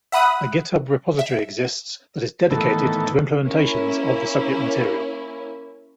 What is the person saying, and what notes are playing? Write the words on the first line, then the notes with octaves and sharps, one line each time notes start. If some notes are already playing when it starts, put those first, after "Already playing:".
A Github repository exists that is dedicated to implementations of the subject material.
E5 F#5 B5 D#6 F#6
E5
A2 D#3 E3 B3 A4
A#3 C#4 E4